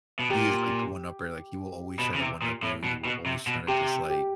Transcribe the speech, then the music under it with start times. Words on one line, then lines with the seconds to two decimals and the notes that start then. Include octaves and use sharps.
he is, like, the one upper. Like, he will always try to one up you. He will always try to just, like,
0.19 B2
0.30 A#2 G4
1.99 B2
2.14 C#3
2.20 C3
2.42 A#2
2.63 A2
2.84 B2
3.05 B2
3.26 C3
3.47 B2
3.68 C3 G4
4.10 G4